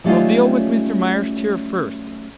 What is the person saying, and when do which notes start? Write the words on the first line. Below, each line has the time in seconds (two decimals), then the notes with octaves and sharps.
We'll deal with Mr. Myerst here first.
0.04 F#3 G3 A3 C#4 D#4 F4